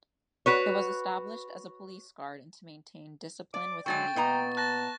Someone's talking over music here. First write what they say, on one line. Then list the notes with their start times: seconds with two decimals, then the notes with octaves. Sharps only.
It was established as a police guard and to maintain discipline within the army.
0.46 F#4 B4 C#5
3.54 D5 D6
3.86 D3 F#3 G#3 G5 C#6 A6
4.16 A#2 B3 D#5 A#5
4.57 A5 F#6 A6 A#6